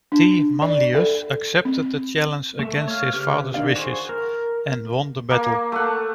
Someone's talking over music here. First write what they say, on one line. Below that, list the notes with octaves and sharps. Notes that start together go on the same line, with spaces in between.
T. Manlius accepted the challenge against his father's wishes and won the battle.
D4
D5
A4
C4
A3 E5
C#5 F5
C#3 G4 B4 F6
D#3 D4 D5 F5
F#4 G#4 C5 C#6
A#4
A#3
A3 F#5